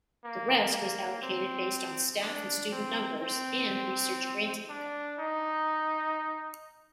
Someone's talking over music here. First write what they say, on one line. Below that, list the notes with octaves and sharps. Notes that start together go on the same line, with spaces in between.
The rest was allocated based on staff and student numbers and research grant income.
A#3
A#3
C4
D4
C4
C4
D4
D#4